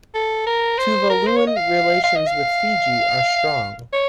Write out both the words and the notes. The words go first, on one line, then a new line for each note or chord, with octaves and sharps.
Tuvaluan relations with Fiji are strong.
A4
A#4
C5
A#4
C5
C#5
D#5
F5
F5
D#5
F5
C#5